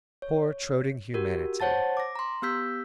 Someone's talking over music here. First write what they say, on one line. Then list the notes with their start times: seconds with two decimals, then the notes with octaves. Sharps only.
Poor, toadying humanity!
0.22 C#5
1.14 F#4 G4 A#4
1.60 C5 C#5 F#5 A5 A6
1.97 D6 A#6
2.16 A#5 C6
2.42 B3 G4 E6 G6 B6